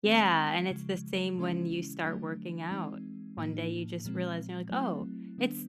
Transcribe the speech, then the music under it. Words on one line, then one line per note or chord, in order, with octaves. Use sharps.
Yeah, and it's the same when you start working out, one day you just realize, you know, like, "Oh," it's
D#3 G#3 C4
C#3 F3 G#3
C#3 E3 G#3 C#4 E4
D3 F#3 A3 D4
E3 G#3 C4 D#4
A2 F3 A#3 D#4
A#2 F3 G#3 C4
F#3 A3 C4 E4
D#3 G3 B3 D4